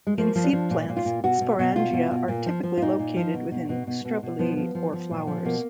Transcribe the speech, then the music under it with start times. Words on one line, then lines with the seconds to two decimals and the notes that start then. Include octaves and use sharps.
In seed plants, sporangia are typically located within strobili or flowers.
0.07 G#3
0.18 F3 A#3
0.35 F3
0.44 D4
0.53 F3
0.70 A#2
0.89 A#2
0.96 F4
1.05 A#2
1.24 B2 F#4
1.41 B2
1.59 B2
1.76 B2 F4
1.93 B2
2.11 B2
2.28 A#2
2.46 F3
2.63 F3
2.77 F4
2.82 A#2 D#4
2.99 A#2
3.16 F3
3.34 B2
3.51 B2
3.69 B2
3.87 B2
4.05 B2
4.23 B2
4.39 F3 B3
4.57 F3
4.75 F3
4.92 F3
5.11 A#2
5.27 F3
5.45 B2 A#3